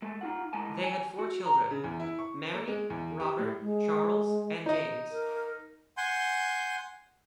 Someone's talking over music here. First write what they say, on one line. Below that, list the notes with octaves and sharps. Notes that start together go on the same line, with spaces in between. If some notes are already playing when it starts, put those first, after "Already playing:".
They had four children-Mary, Robert, Charles and James.
G#3 A3
D#4 F4 F#5
A2 G#3 D#4 G#5 A5
G#5
F#4
A#5
C#3
E2
E4
C#6
A#3
G#3
E2
G4
A2
G#3
D#4 D#5
A#4
F#5 G#5 C6 G6